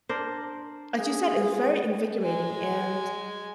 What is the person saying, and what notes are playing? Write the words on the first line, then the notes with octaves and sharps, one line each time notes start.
as you said, it's very invigorating, and, uh,
D4 A#4 C5
G#4
G#3 G#5